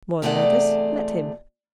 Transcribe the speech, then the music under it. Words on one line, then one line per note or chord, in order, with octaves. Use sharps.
"More than others--let him."
E2 C3 A3 G#4 D5 F#5